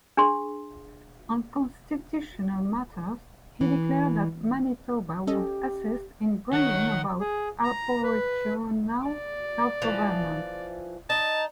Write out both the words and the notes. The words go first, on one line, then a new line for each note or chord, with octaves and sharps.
On constitutional matters, he declared that Manitoba would assist in bringing about aboriginal self-government.
D4 G#4 C6
E3
C#4 G4 A4 D#5
D#3 C#5 F#5
G#4
A#5
B4
D5
E3 F3
D#4 A5